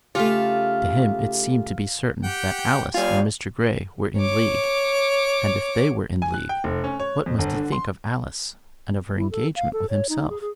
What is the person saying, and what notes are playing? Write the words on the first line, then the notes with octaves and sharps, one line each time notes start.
To him it seemed to be certain that Alice and Mr. Grey were in league;--and if they were in league, what must he think of Alice, and of her engagement with himself!
C#3 A3 F4 G4 B6
G4 F#5 G5
G3 F4 F5 G#5
C#5 D6
G#5
F#6
G5
F1
C#4
C#5
F2
G1
D3
C6
E4
A4
F5
A4
C#5
D#4
G#4
G#4